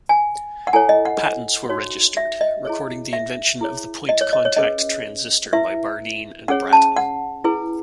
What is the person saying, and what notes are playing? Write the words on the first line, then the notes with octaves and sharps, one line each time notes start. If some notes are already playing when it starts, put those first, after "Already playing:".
Patents were registered, recording the invention of the point-contact transistor by Bardeen and Brattain.
G#5
F#5
E4 A4 C#5 G#5
D#5
F#5
D#4 F#4 C#5
E5
D#5
E4 G#4 C#5
E5
E4 G#4 C#5
D#5
C#5
D#5
C#5
C#4 G#4 B4 D#5
E4 B4 E5
C#4 G#4 C#5 F#5
A5
F#5
E4 G#4 B4